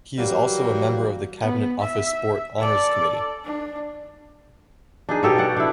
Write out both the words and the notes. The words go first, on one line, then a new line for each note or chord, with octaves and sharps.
He is also a member of the Cabinet Office Sport Honours Committee.
E3 F#3 G3 A#3 F#4
B3
E5
A4 D5
D4
D4 D#4 G#4
B2 G4 A4 C#5
D5 F#5
D4 E4